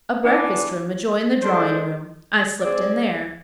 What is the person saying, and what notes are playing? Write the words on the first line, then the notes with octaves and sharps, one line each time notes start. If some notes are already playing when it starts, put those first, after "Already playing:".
A breakfast-room adjoined the drawing-room, I slipped in there.
E3 B3 D4
G#3 D4 A4 C5
G#3 C4 G#4 D5